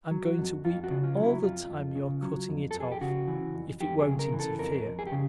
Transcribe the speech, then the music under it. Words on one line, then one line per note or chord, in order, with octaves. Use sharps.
I'm going to weep all the time you're cutting it off, if it won't interfere.
F#3
F#4
F2
F2 F4
F#4
C#3
F4
F#3
E4
F2 F4
F2
C#3
F#3
F2
F2 A4
G#4
G4
C#3 F#4
E3
F2
F2 G4
G#4
C#3
A#4
E3
A4
F2 A#4
F2
G#4
G4
C#3